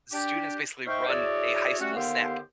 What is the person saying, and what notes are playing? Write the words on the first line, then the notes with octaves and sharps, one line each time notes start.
Students basically run a high school Snap,
D4 G4
D#4 C5 E5 F5 G5 C#6
E4 F#4 G#4 A4 C#5 D5
G3 A3 C#4 F#4
D#2 D3 B3 G4 C5 F5